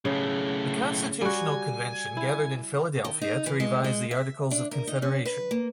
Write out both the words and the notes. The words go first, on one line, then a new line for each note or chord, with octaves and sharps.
The Constitutional Convention gathered in Philadelphia to revise the Articles of Confederation.
B1 A2 C#3
G3 F#4 G#5
E4
D#3
D#4
E3
G#3
G#3
E5
D4
A#4
D#4
C#4
B4
A#3